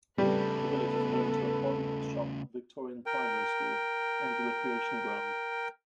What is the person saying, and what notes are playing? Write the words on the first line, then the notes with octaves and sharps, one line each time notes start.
The village is home to a pond, shop, Victorian primary school, and recreation ground.
C#3 G3 A3 B3 A4 B4
A#4 G5